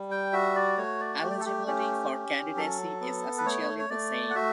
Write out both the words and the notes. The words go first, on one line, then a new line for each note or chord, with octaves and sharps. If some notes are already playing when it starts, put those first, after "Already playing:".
Eligibility for candidacy is essentially the same.
Already playing: G3
G5
F#4 E5
D5
A3 C#5
D5
A3 G4
A4
G4
C#4 G4
C#4
F#3 A4
B3
B4
A3 C#5
C#5
A3 D5
F#5
F#4 E5